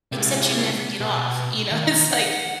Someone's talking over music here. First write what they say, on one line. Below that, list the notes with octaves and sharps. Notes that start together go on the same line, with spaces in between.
Except you never get off, you know, it's like,
C3 G#3
B2
D#3
F#5